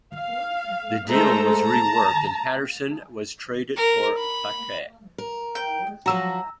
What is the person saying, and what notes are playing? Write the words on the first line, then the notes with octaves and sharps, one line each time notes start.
The deal was reworked and Patterson was traded for Paquette.
F5
G#3 A3 A4 C5 A#5
A5 A#5
A#4
B5
A#4
G5
F3 F#3 F#4 A#5 E6